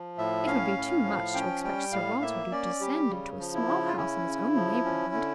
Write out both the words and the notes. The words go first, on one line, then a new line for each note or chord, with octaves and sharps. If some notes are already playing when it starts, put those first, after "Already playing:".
It would be too much to expect Sir Walter to descend into a small house in his own neighbourhood.
Already playing: F3
A2 E5
C#4 F5
A2
F3
C#4 G5
G3 G5
A2 F5
A#3 E5
C#4 D5
G3 G4
C#3
F3
E4
C#3
F4
C#4 E4
C#3
F3
C#4
D3